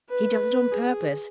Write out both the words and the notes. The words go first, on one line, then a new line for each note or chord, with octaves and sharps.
He does it on purpose.
B4
G#4